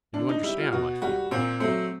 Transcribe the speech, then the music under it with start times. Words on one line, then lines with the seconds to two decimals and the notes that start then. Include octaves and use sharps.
"And you understand my feeling?"
0.14 D3 D4
0.29 D#4
0.43 G3 E4
0.58 F4
0.72 B2 F#4
1.02 G3 F#4
1.31 A#2 C4
1.60 F#3 A3 C4